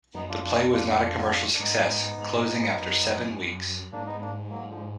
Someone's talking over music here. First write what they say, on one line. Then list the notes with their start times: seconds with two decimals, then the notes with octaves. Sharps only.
The play was not a commercial success, closing after seven weeks.
0.14 F#2 B3 D#4
0.29 D4 F4
0.43 F2 D4 F4
0.57 B3 D#4
0.72 D4 F4
0.87 D4 F4
1.01 D4 F4
1.54 D4
1.59 G#2 B3 D#4
2.18 G#2
2.76 F#2
3.05 F#2
3.92 G#2 A#3 D4
4.06 B3 D#4
4.21 A#3 D4
4.50 F#3 A#3
4.69 D3 F3